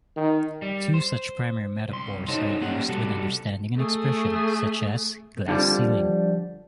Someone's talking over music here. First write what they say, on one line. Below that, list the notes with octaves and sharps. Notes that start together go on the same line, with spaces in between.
Two such primary metaphors are used when understanding an expression such as "glass ceiling".
D#3
G3
C5
C2 C6
D#4 F#4 A4 C5 C#5 D#5
A#3 C#4 G4 C5 F#5
C2 G3 F#4 A4
A3 G#4
F2 D3 F3 G3 C#4 D4